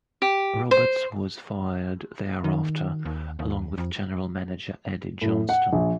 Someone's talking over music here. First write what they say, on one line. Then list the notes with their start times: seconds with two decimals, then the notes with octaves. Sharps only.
Roberts was fired thereafter, along with General Manager Eddie Johnston.
0.22 G4
0.71 C5
2.44 D#3
3.05 D#2
3.39 D#2
3.78 F2
5.22 A2
5.49 F#5
5.73 A#1